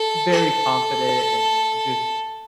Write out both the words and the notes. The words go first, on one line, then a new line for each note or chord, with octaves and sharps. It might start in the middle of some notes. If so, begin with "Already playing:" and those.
very confident and j just
Already playing: A4
A4